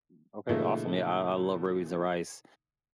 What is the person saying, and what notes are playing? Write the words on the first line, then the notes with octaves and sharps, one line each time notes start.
M okay, awesome. Yeah, I I love red beans and rice
A#2 C#3 E3 A3 D#4 E4